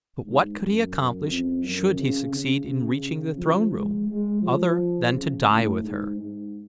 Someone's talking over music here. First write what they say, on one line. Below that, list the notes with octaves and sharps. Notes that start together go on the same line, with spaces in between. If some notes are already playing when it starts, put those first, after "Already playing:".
But what could he accomplish should he succeed in reaching the throne room, other than to die with her?
G#2
F#2
F2
F#2
C#3
C#3
F3
G#3
G#3
F3
C#3
A2
G#2
G#2